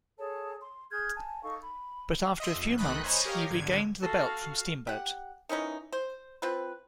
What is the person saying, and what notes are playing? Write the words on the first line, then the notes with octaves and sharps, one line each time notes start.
But after a few months, he regained the belt from Steamboat.
G#4 A4 C#5 A5
C6
G#4 F6 G6 G#6
G#5 A5
D#4 A4 F5 C#6
B5
D#5 E5 C6
F2
B1 D#3 A3 D#5 B5 F#6
C5 C#5 D#5 G#5 A#5 B5
G4 A#4 C#5 D#5 F5
G#1 D3 G#6
F#4 A4 F5 A#6 C7
G4 F#5
D#3 E3 C#4 D#4
C5
C4 F4 B4